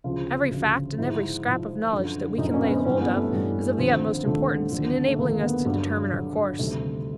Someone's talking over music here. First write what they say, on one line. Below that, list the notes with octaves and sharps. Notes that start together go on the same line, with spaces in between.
Every fact and every scrap of knowledge that we can lay hold of is of the utmost importance in enabling us to determine our course.
D2 C#3 F3 F4
D2 C#3 F3
G#2 F3 E4
G#2 F3
F#2 D3 F3
F#2 D3 F3 D#4
C#4
B3
C4
G2 E3 G3 C#4
B3
A3
G2 E3 G3
D#2 D3 F3 C4
D#2 D3 F3 A3
D#2 D3 F3
A3
D#2 D3 F3 A#3
A#3
B3
B3
G2 D3 F#3
G2 D3 F#3
D2 C3 D#3 G3 A3